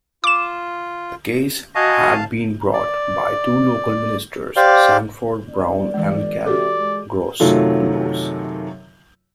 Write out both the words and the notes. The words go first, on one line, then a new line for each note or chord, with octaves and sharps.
The case had been brought by two local ministers, Sanford Brown and Kel Groseclose.
F4 D6 E7
F#4 D#5 F5 G#5 A5
D5
G4 C5 D5 F5
G1 D5
E3 G#3
C3 F#4 G4 A4 D5
G#3
F#2 C3 D#3 F#3 A3 F4